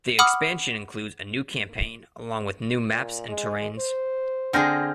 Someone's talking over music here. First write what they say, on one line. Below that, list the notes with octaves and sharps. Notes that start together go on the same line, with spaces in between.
The expansion includes a new campaign, along with new maps and terrains.
F#5 B5 D6 D#6 F6
A#2
G#3
C5
D3 C4 G#4 F6 G6 A#6